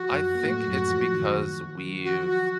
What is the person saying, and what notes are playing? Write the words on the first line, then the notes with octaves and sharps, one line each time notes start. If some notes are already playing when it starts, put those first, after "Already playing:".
I think it's because we've
Already playing: F3 F#4
F#2 F#3
A#3
A2 A3
F#2 F#3
F3
D#3
F3
F#3
F3
F#4
F#4